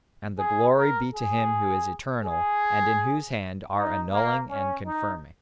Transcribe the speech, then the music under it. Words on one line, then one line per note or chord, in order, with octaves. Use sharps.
And the glory be to Him who is eternal and in whose hand are annulling and confirming.
G#4
A#4
G#4
G#4
D#4
A#3
C#4
D#4